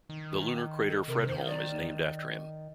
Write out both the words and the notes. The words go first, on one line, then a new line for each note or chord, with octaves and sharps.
The lunar crater Fredholm is named after him.
D#3
A4
C3 A#4
A#4
D#3 C5
D5